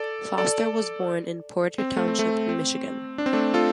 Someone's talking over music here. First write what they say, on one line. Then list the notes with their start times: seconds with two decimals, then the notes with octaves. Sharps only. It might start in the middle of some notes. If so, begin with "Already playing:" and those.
Foster was born in Porter Township Michigan.
Already playing: A4 D5
0.38 A4 D5
1.78 C4
1.96 A3
2.08 C4
2.19 A3
2.49 C4
3.18 D4
3.26 C4
3.33 A3 D4
3.54 F4 A4